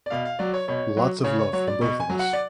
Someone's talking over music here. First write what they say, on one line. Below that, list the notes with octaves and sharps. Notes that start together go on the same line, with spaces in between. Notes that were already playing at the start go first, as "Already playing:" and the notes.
Lots of love from both of us.
D5
B2 F5
F5
F#3 D5
C#5
B2 C#5
F#3
C#3 C#5
C#5
F#3 C#5
D5
B2 C#6
G#5
F#3
F#5
D5